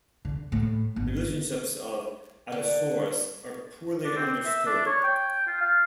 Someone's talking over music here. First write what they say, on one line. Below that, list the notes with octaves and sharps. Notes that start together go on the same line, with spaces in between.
The relationships of "Adasaurus" are poorly understood.
D3
A2
G1
D3
D4
C4
E5
D4
C#5
G5
F4
F5